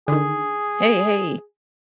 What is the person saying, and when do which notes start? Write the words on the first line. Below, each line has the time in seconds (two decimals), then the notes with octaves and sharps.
Hey, hey.
0.08 D3 D#3 G#4